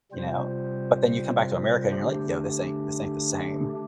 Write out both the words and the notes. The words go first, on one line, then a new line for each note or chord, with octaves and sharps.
you know? But then you come back to America and you're like, "Yo, this ain't this ain't the same."
C3 G3 C4 F4 C5
D3 A3 D4 G4